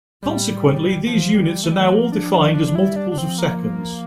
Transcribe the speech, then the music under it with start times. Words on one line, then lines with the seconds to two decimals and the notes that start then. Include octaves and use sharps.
Consequently, these units are now all defined as multiples of seconds.
0.23 A2 G3
0.65 C3
1.07 E3 F3
1.34 F3 G3
1.63 E3 A3
1.72 G3
1.79 A3
1.91 F3 A#3
2.12 D4
2.33 F3 D4
2.54 D4
2.68 D4
2.75 G3 E4
2.96 D4
3.11 D4
3.18 F3 C4
3.38 A#3